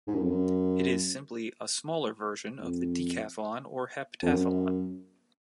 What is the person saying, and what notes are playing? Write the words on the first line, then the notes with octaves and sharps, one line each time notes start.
It is simply a smaller version of the decathlon or a heptathlon.
G#2
F#2
F2
F#2
F2
F2
F#2